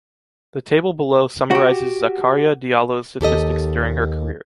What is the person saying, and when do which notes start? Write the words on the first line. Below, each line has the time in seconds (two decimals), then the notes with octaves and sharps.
The table below summarizes Zakaria Diallo’s statistics during his career.
1.51 F#4 G4
3.21 D#2 G4 A4 D#5